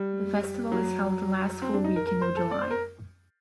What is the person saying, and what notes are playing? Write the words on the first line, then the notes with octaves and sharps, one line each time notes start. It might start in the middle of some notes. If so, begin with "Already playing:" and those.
The festival is held the last full weekend of July.
Already playing: G3
F#3
C4
D4
D#4
A#4
A#4
C5
A4
D5
C5
A#4